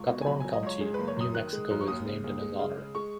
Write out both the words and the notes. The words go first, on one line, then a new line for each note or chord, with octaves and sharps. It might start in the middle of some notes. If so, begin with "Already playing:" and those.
Catron County, New Mexico is named in his honor.
Already playing: C#2 C#6
B2
G#5
F#3 B5
F#3 G#5
D#5
C#2 C#5
G#3 G#4
F#1 B4
C#5
F#2 D#6
D#3 F#6
G#3
F#2
C#6
D#2 D#6
C#3
D#2
G#3
C#3
G#3
G#3 C#6